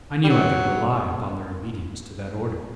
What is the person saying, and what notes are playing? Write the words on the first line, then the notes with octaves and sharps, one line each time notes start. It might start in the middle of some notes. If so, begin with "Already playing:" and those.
I knew I could rely upon their obedience to that order.
G3
F#3